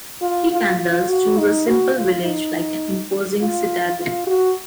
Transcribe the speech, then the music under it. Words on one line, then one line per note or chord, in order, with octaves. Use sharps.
He can thus choose a simple village like an imposing citadel.
F4
F4
F4
F#4
D#4
F#4
F4
D#4
F4
F4
F#4